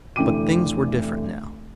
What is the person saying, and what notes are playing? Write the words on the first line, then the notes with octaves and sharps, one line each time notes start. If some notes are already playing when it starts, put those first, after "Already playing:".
But things were different now.
F1 D3 E3 G5 D6 D#7